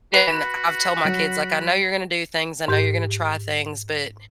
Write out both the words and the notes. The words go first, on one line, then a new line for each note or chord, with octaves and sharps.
and I’ve told my kids like, "I know you're gonna do things, I know you're gonna try things, but,
F#4 B4 B5
F#3
G#2 G4 G6